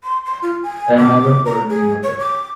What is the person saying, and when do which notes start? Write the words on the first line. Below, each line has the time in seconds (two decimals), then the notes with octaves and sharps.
And never called me mother!
0.04 C6
0.26 C6
0.42 F4
0.63 G#5
0.98 D6
1.46 A#5
1.70 G#4
2.03 C#5
2.19 D6